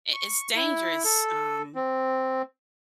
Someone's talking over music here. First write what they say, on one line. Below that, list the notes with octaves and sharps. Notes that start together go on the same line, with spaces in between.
I it's dangerous um,
C#6
E4
A4
C4